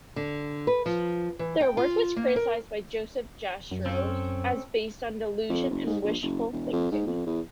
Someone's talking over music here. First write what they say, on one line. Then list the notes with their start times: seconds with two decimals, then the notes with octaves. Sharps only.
Their work was criticized by Joseph Jastrow as based on delusion and wishful thinking.
0.16 D3
0.67 B4
0.86 F3
1.39 E3
1.61 G5
1.77 F4
2.16 A#3
2.36 A#4
3.71 F#2
3.86 C4 C#4 A4
5.49 F2
5.71 F#1
5.87 G#2
6.04 A#1
6.22 F#1
6.53 E1
6.72 F2
6.92 G#2
7.07 F2
7.26 E2